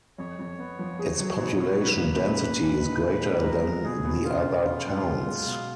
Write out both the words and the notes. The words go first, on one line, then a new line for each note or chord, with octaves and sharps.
Its population density is greater than the other towns.
F2 C#5
F2
B3
F3
G#4
F#3
B2
B2
F#3 B4
A#3
C#3
A#3
A#2
D#4
A#2
G#3
G#3 A#4
G#3
B2 G#4
B2
C#3 F4
C#3
C#3
F#3
B2
G#3
B2